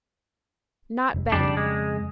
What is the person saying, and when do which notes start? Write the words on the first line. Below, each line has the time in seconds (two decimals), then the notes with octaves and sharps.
Not Benny!
1.14 F1
1.32 F2 C#3 G3 D4
1.57 G#3